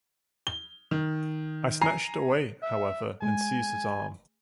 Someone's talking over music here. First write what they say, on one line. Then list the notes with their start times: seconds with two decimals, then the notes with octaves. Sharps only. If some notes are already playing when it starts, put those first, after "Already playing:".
I snatched it away, however, and seized his arm.
0.47 G7
0.91 D#3
1.82 G#5 A#5 C7
2.63 E5
3.22 G#3 G#5